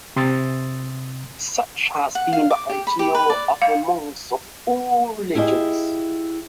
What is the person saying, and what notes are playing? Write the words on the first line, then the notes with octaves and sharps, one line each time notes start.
Such has been the ideal of the monks of all religions.
C3 C6 D#6 E6 A6
F#5
F5
D6
G4
B5
G4
B4
D5
F5
E4 F4 G4 G#4 D#5